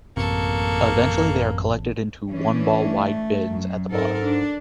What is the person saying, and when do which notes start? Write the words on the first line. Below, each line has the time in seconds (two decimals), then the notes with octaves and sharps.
Eventually, they are collected into one-ball-wide bins at the bottom.
0.17 A1 F#2 C3 A#3 A4 C#6
2.31 E3 C#4 D4
2.83 A3
3.52 F#2
3.91 G#2 C4 A4 A#4
4.24 D4